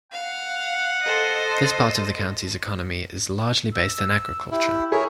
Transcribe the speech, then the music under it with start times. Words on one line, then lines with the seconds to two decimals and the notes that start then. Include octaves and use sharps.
This part of the county's economy is largely based in agriculture.
0.12 F5 F#5
1.04 A4 C5 D#5
3.73 E6
4.51 E4 G4
4.92 G#4 A#4 C#5 E5